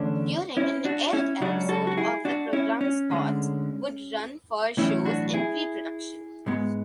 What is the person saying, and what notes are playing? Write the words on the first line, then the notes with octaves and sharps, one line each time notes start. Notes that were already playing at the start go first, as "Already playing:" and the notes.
During an aired episode of the program spots would run for shows in pre-production.
Already playing: E2 D3 A3 C#4 D4
C#4 E4
D4 F#4
C#4 E4
C#2 C#3 F#3 C#4 D4 F#4
F#4 A4
F#4
E4 G#4
D4 F#4
C#4 E4
C#4
D2 D3 G#3
B1 A2 E3 C#4 E4
D4 F#4
E4 G#4
G#2 G#3 B3